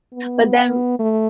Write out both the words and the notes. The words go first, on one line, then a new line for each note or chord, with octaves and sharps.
but then
B3
B3
A3